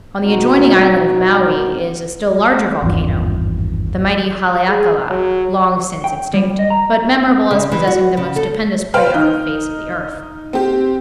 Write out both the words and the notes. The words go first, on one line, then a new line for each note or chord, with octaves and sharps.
On the adjoining island of Maui is a still larger volcano, the mighty Haleakala, long since extinct, but memorable as possessing the most stupendous crater on the face of the earth.
B2 C4 D#4 F#4
G#1 E2 G2 F3
G#4
F#3
G5
G3
D#5
A#5
C#3
E3
F#4
C#3
A4
B4 C5 F5 G5 F6
D#4
C4 G4